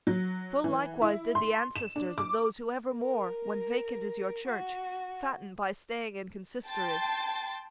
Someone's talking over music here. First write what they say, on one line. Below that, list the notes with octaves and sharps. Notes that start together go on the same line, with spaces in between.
So likewise did the ancestors of those Who evermore, when vacant is your church, Fatten by staying in consistory.
F#3
E3
E4
C6
E7
D4
D6
A#4
F#4
G5 A5 C6 A6